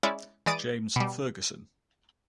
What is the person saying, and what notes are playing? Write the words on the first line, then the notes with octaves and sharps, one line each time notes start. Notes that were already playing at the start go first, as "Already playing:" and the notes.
James Fergusson.
G#3 C#4 E4 D5 E5
E3 G#3 D5 D#6 A6 D7
B2 G3